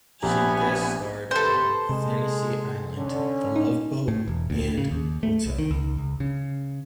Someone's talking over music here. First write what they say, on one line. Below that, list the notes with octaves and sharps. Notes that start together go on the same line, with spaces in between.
She guest starred on "Fantasy Island", "The Love Boat" and "Hotel".
A#1 B3 G4 G#5 A#5
C3 G4 A4 B4 C5
C3 G#3
D3 C#4
D#4
A2
E1
D2
C#3
D#2
A3
C2
D#3
C#2
C#2
C#3